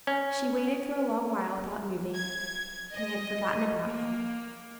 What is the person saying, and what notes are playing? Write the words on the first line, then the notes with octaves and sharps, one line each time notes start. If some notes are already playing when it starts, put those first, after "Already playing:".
She waited for a long while without moving, and had forgotten about him.
C#4
G#6
D#5
A#3